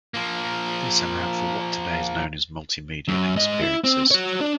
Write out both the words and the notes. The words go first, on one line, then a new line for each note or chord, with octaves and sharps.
This allowed for what today is known as multimedia experiences.
F3 A#3
F#2
G#2 D#5
E4
C4
F#4 C#5
D4